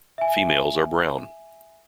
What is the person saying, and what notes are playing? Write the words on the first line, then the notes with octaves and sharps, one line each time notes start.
Females are brown.
E5 G#5